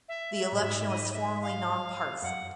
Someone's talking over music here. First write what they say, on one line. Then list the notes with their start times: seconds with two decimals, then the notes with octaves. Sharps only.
The election was formally nonpartisan.
0.08 E5
0.35 E5
0.52 A2
0.62 G#2 E5
0.88 D#5
1.10 D#5
1.15 E5
1.42 F5
2.22 F#2 F#5